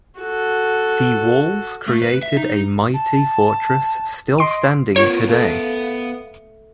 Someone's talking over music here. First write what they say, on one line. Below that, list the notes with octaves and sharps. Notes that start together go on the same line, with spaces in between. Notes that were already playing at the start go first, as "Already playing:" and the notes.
The walls created a mighty fortress still standing today.
F#4 A4
A3
B4
E5
D#4
A5
D#5 C6 D7
B3 F4 A#4 C#5
A3 F5